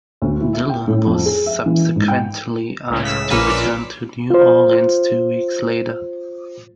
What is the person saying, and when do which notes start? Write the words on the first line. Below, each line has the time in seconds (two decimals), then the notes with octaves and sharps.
Dillon was subsequently asked to return to New Orleans two weeks later.
0.22 D2
0.41 E4
0.53 E5
0.69 G5
0.88 A2
1.07 F2
1.26 G#4
1.46 E5
1.66 E3
1.96 G#2
2.08 G5
2.90 C#2 A2 C#3
3.05 E6 B6
3.30 A#1 A#3 C#4 B4 F5 E6 B6 C#7
3.47 F4 D5
4.30 F4 C5